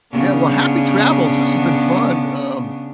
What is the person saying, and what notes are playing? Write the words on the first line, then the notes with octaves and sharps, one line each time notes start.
Yeah, well, happy travels, this has been fun, um,
C#3 B3 D4